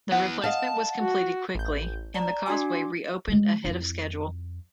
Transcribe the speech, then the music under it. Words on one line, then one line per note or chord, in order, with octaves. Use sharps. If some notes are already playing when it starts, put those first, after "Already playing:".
The replacement was completed quickly, and the causeway re-opened ahead of schedule.
B3 E4 F#5
D#5 F5 A5
F#4
A1 G6
D5 A5 A#5
D4 F#4 G#5 C6 D6
G3 G#3
F2 E4